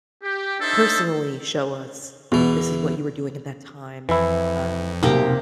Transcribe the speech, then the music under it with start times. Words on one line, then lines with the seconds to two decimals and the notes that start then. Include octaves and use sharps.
personally show us, "This is what you were doing at that time," um,
0.23 G4
0.60 D4 D#4 A4 C5 E5
2.32 E2 B2 E3
4.09 F2 E3 E4
5.03 B1 C3 A#3 G4 A#5